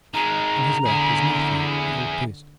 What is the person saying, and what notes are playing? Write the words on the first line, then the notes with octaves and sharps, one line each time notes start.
On his left is Matthew, the old priest.
D#3 G#3 A#5
D3 E4 G#4